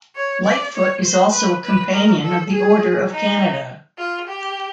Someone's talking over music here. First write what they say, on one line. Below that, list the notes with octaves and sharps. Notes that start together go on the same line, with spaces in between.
Lightfoot is also a Companion of the Order of Canada.
C#5
D5
C#5
C5
B4
B4
A#4
A4
G#4
D#4
F4
G4